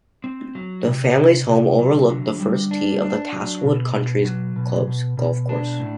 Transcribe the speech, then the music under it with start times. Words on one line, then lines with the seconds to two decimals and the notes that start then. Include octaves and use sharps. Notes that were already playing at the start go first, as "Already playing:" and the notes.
The family's home overlooked the first tee of the Castlewood Country Club's golf course.
0.24 C4
0.55 F#3
0.86 C3
1.17 C3
1.48 C3
1.78 F#3
2.09 D3
2.40 G3
2.71 D4
3.02 D4
3.33 F#3
3.64 B2
3.94 B2
4.25 F#3
4.56 B2
4.88 B2
5.17 B2
5.49 D4
5.79 A2